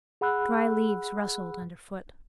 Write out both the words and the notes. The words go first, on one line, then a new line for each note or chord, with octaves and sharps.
Dry leaves rustled under foot.
G#4 F#5 B5 E6 F#6